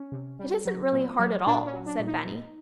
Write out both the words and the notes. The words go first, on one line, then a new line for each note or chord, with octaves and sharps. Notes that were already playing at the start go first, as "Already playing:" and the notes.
"It isn't really hard at all," said Benny.
Already playing: C#4
C3
G3
F#3
A#2
F#3
A#2 D4
C#4
F#3
D4
A#2
D#4